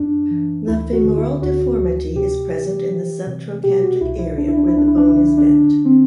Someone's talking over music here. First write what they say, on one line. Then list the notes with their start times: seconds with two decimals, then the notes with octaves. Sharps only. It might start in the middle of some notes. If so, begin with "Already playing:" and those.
The femoral deformity is present in the subtrochantric area where the bone is bent.
Already playing: F#2 D4
0.31 E3
0.67 D2 E4
0.92 F#4
1.04 D3
1.17 E4
1.41 D2 F#4
1.78 D2
2.15 C3 G4
2.53 E3
2.89 E3
3.26 C3
3.63 B2 G4
3.82 F#4
4.01 C2 E4
4.19 E4
4.38 C2 D4
4.48 E4
4.57 D4
4.67 E4
4.75 C2 D4
4.88 E4
4.97 D4
5.07 D3 E4
5.17 D4
5.27 E4
5.37 D4
5.48 D3
5.85 D3 C4